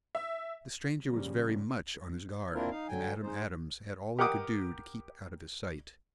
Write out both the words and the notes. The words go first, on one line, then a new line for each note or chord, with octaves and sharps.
The stranger was very much on his guard, and Adam Adams had all he could do to keep out of his sight.
E5
A#2 C#3 F3 G3 A#3 C#4
A#3 C4 D4 E4 F4 A#4
D#4 F5
D3 F#3 G5 G#5
G#3 D#4 C5
G4 A#4 F#5 G5 D6 D#6